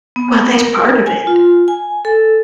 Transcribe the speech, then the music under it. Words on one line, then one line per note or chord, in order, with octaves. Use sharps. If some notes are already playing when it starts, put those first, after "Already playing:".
Well, that's part of it.
B3
A#4
G#5
F4
G#5
A4